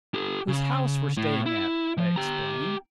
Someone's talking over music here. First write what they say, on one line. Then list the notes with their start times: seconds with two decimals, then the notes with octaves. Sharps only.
"Whose house we're staying at," I explained.
0.14 G4 A4
0.48 C#3
1.17 A2
1.46 E4
1.97 F3
2.16 G4 A#5